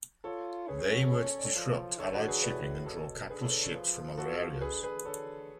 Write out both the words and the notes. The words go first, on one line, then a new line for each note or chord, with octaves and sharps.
They were to disrupt Allied shipping and draw capital ships from other areas.
F4 A4 C#5
C#4 G#4 B4
G#4 B4
F#4 A4
A4 C#5
A4 C#5
A4 C#5
D5
A4 C#5
F3 A4 C#5
D3 A4 C#5
F#4 A4
G#4 B4
A2 B4 D5
B2 A4 C#5
D3 G#4 B4
A4 C#5
B4 D5
A4 C#5
F3 G#4 B4
F#4 A4
D3 G#4 B4
G#4 B4
D3 A4 C#5